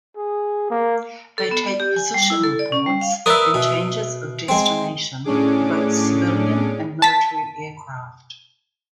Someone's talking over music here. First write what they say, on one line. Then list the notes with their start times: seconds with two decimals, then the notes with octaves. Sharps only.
They take position reports and changes of destination for both civilian and military aircraft.
0.16 G#4
0.70 A#3
1.38 A4
1.51 B3
1.67 D5
1.80 G4
1.96 G#5
2.14 G3
2.30 E4
2.44 A4
2.59 D5
2.72 C#4
2.86 G3
3.01 F5
3.26 A#4 B4 D5 E5 D#6
3.54 B2
4.48 G#3 C4
5.24 A2 C#4 D4 G#4 D6
7.02 A5 B6